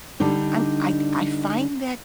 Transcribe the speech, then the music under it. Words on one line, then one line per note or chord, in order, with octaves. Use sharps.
I'm I'd I find that,
D3 G3 D4 D#4